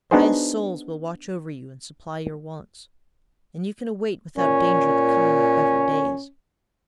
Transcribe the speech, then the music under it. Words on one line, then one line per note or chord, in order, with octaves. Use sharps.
Pious souls will watch over you and supply your wants; and you can await without danger the coming of better days.
B3 D4 D#4 F#4 G#4 C5
A#2 C#4